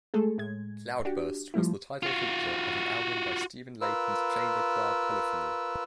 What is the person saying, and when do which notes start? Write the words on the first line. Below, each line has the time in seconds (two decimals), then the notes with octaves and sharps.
"Cloudburst" was the title feature of an album by Stephen Layton's chamber choir Polyphony.
0.14 G#3 A3 G#4 A4
0.38 A2 G#3 G#6
1.05 D4 F#4 G4
1.54 F3 G3 A3 E4
2.03 F4 F#4
3.81 F4 A#4 B4 E6